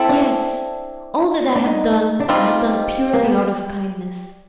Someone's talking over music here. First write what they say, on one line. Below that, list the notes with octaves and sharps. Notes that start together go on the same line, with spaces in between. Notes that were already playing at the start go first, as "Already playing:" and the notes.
"Yes, all that I have done I have done purely out of kindness."
Already playing: C4 E4 A4
D4
D4
D#4
D4
G3 C4 D#4 F4
A#3
B3